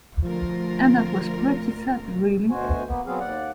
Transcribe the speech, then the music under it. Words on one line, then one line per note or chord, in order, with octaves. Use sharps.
And that was pretty sad really.
D2 F3 F4 A#4
D2 B2 F#4 C5 G#5
A#3 B3
F#3 B3 C4 G#4 F5
D#2 D5 F#5